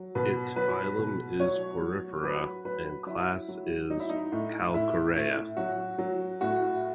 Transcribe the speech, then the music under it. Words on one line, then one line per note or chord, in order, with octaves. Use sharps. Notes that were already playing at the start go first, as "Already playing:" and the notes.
Its Phylum is Porifera and Class is Calcarea.
Already playing: F#3
B2 B4
F#3 B4
B2
F#3 C#5
F#3
F#3 B4
F#3 B4
F#3 E4
F#3
F#3 D#4
E4
D#4
A2
A2 E4
A2
F#3 F#4
F#3
A2 F#4